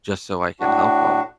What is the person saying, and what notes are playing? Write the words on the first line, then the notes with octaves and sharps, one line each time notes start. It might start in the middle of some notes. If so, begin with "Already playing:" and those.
just so I can help 'em.
A2 D4 F#4